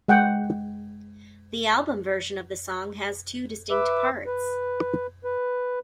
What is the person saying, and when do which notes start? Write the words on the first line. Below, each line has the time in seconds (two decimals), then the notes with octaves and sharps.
The album version of the song has two distinct parts.
0.08 G#3 F#5 G5
3.70 B4 E5 D6 E6
4.26 B4
5.24 B4